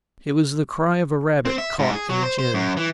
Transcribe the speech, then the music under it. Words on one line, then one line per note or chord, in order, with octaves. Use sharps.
It was the cry of a rabbit caught in a gin.
C4
E5
G#2
G#4
F#3
C5
C5
F#2
E3